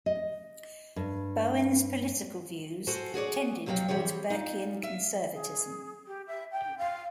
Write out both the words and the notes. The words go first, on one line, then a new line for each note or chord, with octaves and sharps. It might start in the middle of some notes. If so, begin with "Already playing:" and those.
Bowen's political views tended towards Burkean conservatism.
D#5
G2
F#4 A4 C5 G#5 A5
F#4 G#4 C#5 D5
F2 C3 F#3 A4 F5 G5
E3 G3 C4 G#4 C#5
D#4 F4
E5 F5
G#4
G4
E5
G5
F5